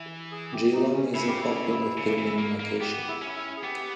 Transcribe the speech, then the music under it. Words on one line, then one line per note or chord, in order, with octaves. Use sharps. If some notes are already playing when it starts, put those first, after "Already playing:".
Geelong is a popular filming location.
Already playing: E3
G#4
G4
D#4
C#4
C#3 E4
G4
E4
C#3
E3
A#3
A#3
B3 G4
G4
E4
C#4
E4
G#4
B3 G4